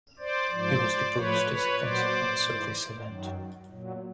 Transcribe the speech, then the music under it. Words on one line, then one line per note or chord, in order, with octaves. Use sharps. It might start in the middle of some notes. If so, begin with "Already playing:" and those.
He was deposed as a consequence of this event.
C5 D5
G#2 F3 C5 D5
A2 F3 B4 C#5
B4 C#5
A#2 F#3 C5 D5
G#2 E3
F#2 D#3 F#3
A#2 F#3